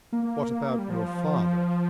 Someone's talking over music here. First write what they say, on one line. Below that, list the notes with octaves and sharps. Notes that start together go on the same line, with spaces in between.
"What about your father?"
A#3
A#3
G3
F3